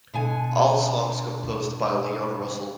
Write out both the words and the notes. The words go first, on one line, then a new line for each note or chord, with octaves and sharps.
All songs composed by Leon Russell.
B2 D3 G#5